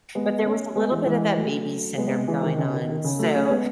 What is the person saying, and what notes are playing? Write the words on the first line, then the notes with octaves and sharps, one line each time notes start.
but there was a little bit of that baby syndrome going on. So,
G#3 B3
A3 C#4
G#3 B3
E3 G#3
E3 G#3
F#3 A3
G#3 B3
G#3 B3
E3 G#3
D#3
C#3
D#3
D#3
C#3
F#3 A3
A3 C#4
C#4
G#3 B3